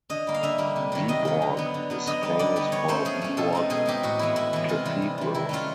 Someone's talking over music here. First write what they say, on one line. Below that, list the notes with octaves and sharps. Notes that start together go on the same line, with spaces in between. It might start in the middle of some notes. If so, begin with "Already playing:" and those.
Viborg is famous for Viborg Cathedral.
D3 D#5
G3 A#3
F5
D3 E5
G3 A#3
C3
D#3 F#3
C3 D#5
D#3 F#3
D3
F#3 B3
D3
F#3 B3
D3 D#5
G3 B3 D#4
D3 D5
G3 B3 D#4
F3 C#5
A3 C#4 C5
F3 G#4
A3 C#4
B2 A4
G#3 C4 D#4
B2 G#4
G#3 C4 D#4 G4
A2 F#4
E3 G#3 B3 E4
A2 E4
E3 G#3 B3
C3 F4
E3 G3
C3
E3 G3
D#3 E4
F#3 A3 C#4 F4